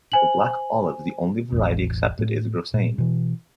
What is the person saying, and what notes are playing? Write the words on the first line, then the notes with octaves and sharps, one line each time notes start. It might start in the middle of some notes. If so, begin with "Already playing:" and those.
For black olives the only variety accepted is Grossane.
C5 G#5 F#7
E1 A1
A2
A#2
B2 E3